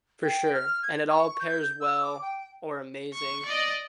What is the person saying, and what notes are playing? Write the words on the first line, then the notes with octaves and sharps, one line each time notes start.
For sure, and it all pairs well or amazing
G5
F6
G#6
C#6
G6
E6
D6
G5
C#6
D5 D#5